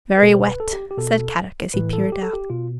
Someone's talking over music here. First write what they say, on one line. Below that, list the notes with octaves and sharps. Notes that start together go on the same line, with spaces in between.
"Very wet," said Kadok as he peered out.
B4
B2 A4
C5
B4
A4
G4
G4
B2 A4
A2 E3 B4
A4
G4
A4
G4
B2 F4